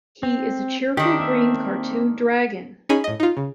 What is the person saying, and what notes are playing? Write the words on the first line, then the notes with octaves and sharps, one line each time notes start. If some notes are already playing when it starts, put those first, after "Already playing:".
He is a cheerful green cartoon dragon.
C4
D#3 D4 G4
A#3 C4 E5
C#4 D#4 G#4 G#5 B5
A2 D#5
D#4 F4
C#3